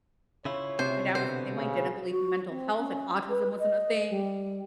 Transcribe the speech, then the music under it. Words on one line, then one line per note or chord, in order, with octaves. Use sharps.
My dad was the same way, didn't believe in mental health, like, autism wasn't a thing.
C#3 E4 F4 C#5
C3 C5
B2 D3 B3 C5
C#3
F#4
C4
C#4
B4
D#5
G3